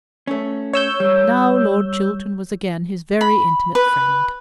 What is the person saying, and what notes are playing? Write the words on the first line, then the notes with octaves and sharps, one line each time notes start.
Now Lord Chiltern was again his very intimate friend.
A3 C#4
C#5 E6 G6
G3
B5
B4